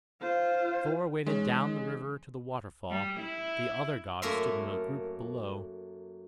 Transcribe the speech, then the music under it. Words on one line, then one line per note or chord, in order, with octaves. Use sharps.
Thor waded down the river to the waterfall; the other gods stood in a group below.
F4 C5
E3 G#3 C#4 D#4
G3
E4
F#2 A3 A#3 A#4 E5 C6